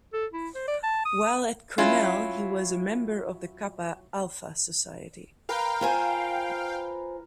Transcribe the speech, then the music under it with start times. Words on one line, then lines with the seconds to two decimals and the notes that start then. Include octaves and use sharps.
While at Cornell he was a member of The Kappa Alpha Society.
0.13 A4
0.33 E4
0.55 C5
0.67 D5
0.83 A5
1.05 D#6
1.78 F#3 C#4 E4 F4
5.49 A#4 B4 F5 G5 A#5
5.81 F4 C5 G#5